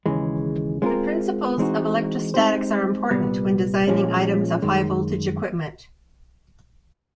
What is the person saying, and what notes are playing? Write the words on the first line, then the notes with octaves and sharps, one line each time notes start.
The principles of electrostatics are important when designing items of high-voltage equipment.
D#2 C#3 E3 G#3
G#3 C4 F4 A#4
E3 G#3 C4 D#4 F#4
G#3 C4 D#4 G4 C5
C2 A#2 G3 B3
A#2 F3 G#3 C#4
F#2 D#3 G#3